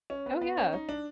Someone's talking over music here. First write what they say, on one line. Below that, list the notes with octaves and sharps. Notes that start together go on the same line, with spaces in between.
Oh, yeah.
C#4
B3
B3
C#4
D#4
D4